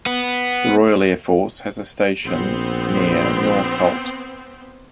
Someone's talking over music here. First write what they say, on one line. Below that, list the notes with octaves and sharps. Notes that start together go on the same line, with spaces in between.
The Royal Air Force has a station near Northolt.
B3
A#1 B3 C4 C5